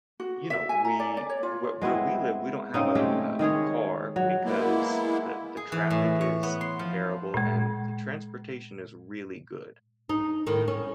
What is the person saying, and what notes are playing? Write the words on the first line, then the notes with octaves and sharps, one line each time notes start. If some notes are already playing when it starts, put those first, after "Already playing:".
you know, we where where we live we don't have a a a car because the the traffic is terrible and the transportation is really good,
F#4
E5
G#5
A#5
D5
D5
C#5
F4
G#3 B3 C4 E4
C#3 C4 D#4
G#3 A3 C4 G4
D#3 G#3 G#4 C#5
F#3
G#3 A#3 B3 E4
G#4
E3
A2
C#5
B3
C6
F3
A#2 G#3
D#4
A2 D#3
C#4